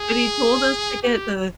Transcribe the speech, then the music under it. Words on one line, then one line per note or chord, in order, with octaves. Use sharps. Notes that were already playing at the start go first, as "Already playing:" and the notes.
but he told us to get the
Already playing: G#4
G4